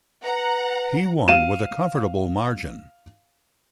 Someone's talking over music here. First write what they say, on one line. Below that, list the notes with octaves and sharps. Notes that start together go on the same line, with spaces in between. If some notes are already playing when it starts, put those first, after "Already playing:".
He won with a comfortable margin.
B4 F#5 A#5
F5 D#7 E7